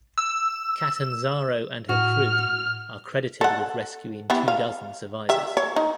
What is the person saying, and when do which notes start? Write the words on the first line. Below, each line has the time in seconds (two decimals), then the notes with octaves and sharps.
Catanzaro and her crew are credited with rescuing two dozen survivors.
0.18 E6
1.89 A2 F#4 F6
3.41 A4 F#5
4.30 B3 E4 G4
4.48 F5
5.29 G4 E5
5.57 C#5
5.76 D#4